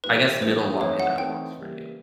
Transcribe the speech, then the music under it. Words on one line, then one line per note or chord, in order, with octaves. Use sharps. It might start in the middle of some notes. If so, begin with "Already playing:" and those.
I guess, middle line that works for you.
E3 G3 A#3 D#4 B4
E3 G3 A#3 D#4 C5
E3 A3 C4 D#4 C#5
F#5
E3 A3 C4 D#4 G5
C#3 E3 G3 A#3